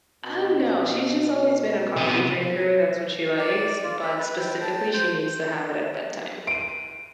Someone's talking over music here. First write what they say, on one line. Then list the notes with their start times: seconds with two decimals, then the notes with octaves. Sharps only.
Um, no, she's just always been a coffee drinker. That's what she likes, but specifically, needs to have it at bedtime.
0.24 B2
1.96 C3 B3
3.39 D5
3.84 F4
4.02 E5
4.18 B4
4.39 G5
4.61 A5
4.93 C5
6.47 D7 D#7